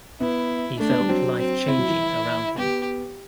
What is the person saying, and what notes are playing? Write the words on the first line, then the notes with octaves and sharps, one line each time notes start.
He felt life changing around him.
B3 E4
A3 D4
B3
G3
F#3 C4
C4
C4 E4
F#3
E3
B3 G4